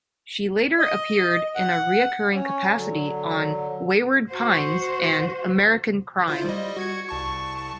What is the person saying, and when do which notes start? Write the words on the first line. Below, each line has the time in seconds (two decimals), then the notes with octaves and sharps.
She later appeared in a reoccurring capacity on "Wayward Pines" and "American Crime".
0.79 D#5
1.56 F#5
2.35 C#4 C#5
2.75 D3 F#3
4.29 F#4 C5
6.28 E4 F4 C5
6.45 G3 D#5
6.77 F#4 G#6 C#7
7.09 C2 A5 C#6